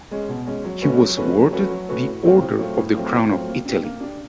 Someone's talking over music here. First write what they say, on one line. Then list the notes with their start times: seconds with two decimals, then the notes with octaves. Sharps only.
He was awarded the Order of the Crown of Italy.
0.11 G#3 C#4
0.29 B2
0.47 G#3 C#4
0.65 F#3
0.82 A3 C#4 F#4 B4
1.00 F#3
1.17 A3 C#4 F#4 B4
1.35 F#3
1.53 A3 C#4 F#4 B4
1.71 F#3
1.89 A3 C#4 F#4 B4
2.06 A2
2.23 F#3 A3 C4 F4
2.41 A2
2.59 F#3 A3 C4 F4
2.77 A2
2.95 F#3 A3 C4 F4
3.13 A2
3.30 F#3 A3 C4 F4
3.47 A#3
3.65 D4 G4
3.84 A#3
4.01 D4 G4